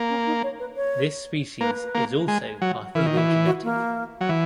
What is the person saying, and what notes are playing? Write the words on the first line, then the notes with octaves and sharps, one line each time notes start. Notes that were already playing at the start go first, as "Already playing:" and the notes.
This species is also parthenogenetic.
Already playing: A#3
C#4
D#4
C#5
B4
C#5
A#3 B4
A#3
G#3
F#3
E3 A#4
D#3
F#4
E3
E4
F#4
A#3
F#3
E3